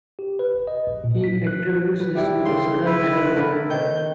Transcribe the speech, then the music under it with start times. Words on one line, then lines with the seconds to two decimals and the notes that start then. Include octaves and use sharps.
He attributes this to the sudden arrival of winter.
0.19 G4
0.39 B4
0.54 G#1
0.67 D#5
0.87 A#1
1.04 A#2
1.24 B6
1.47 F#6
2.00 B4
2.15 C3 G3 E4
2.45 C#3 C4 D5 C6
2.86 E4 B4
3.37 A4 A#4
3.70 D#3 G6